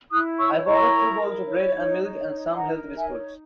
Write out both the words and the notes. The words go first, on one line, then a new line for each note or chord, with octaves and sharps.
I've ordered two bowls of bread-and-milk and some health biscuits.
E4 D#6 F#6
C#5 C#6 E6
E4 A#5 C#6
A#4
E4
C#5
D#4
C#5
D#4
A#4 F#5 A#5
D#4
E5 G#5
C#5